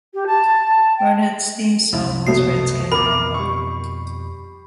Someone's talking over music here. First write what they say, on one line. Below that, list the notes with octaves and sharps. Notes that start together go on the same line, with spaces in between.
Barnet's theme song was "Redskin Rhumba".
G4
A5
G5
C2 F#2 E4
B2 F#3 A3 C7
F2 B2 A#4 B5 D6
G3 C#6